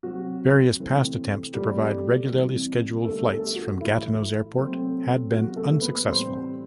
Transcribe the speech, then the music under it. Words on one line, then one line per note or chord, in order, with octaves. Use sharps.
Various past attempts to provide regularly scheduled flights from Gatineau's airport had been unsuccessful.
C3 F#3 C4 F#4
C3 E3 A3 C4
E3 G3 A3 C4 G4
C3 E3 G3 C4
D3 G3 A3 B3 A4
A3 A4
F#4
A2 E3 A3 E4
C3 F#3 A3 C4
C3 F#3 B3 F#4
A3 A4
B3 B4
A2 E3 G3 C4 C5